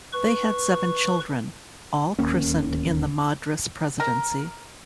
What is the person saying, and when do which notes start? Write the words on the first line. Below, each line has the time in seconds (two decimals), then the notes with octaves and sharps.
They had seven children, all christened in the Madras Presidency.
0.13 B4 C#6
2.19 D1 D#2 A#3 C#4
4.00 A#4